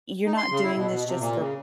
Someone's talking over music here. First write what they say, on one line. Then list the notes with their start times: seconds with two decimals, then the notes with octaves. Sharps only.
"You're not doing this just for
0.26 D#4
0.37 C6
0.51 C#3
0.63 E4
0.76 B2
0.90 B2
1.06 C3
1.20 A#2
1.38 C#3